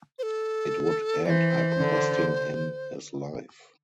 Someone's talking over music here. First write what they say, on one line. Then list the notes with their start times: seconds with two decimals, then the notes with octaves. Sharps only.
It would end up costing him his life.
0.19 C5
0.23 A4
1.25 E3 D5
1.30 C5
1.78 D3